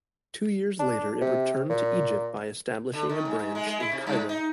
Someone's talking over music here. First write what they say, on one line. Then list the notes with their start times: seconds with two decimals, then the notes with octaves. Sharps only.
Two years later it returned to Egypt by establishing a branch in Cairo.
0.79 D4
1.21 C3
1.70 A#2
2.93 D3
3.09 D#3
3.25 G#2
3.39 G#2
3.55 G#3
3.66 G#3
3.80 E4
3.92 C3
4.07 G2
4.29 D#4